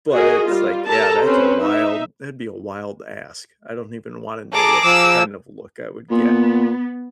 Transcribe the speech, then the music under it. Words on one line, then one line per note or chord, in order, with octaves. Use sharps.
But it's, like, yeah, that's a wild that'd be a wild ask. I don't even wanna know what th kind of look I would get.
F#4 G#4 A#4 D#5
G3 F4
G4 A4 A#4 A5 A#5
C4 C#4 B4 C5
D#4 E5
G#4 A4 A#5 D6
F3 E6
A#2 B3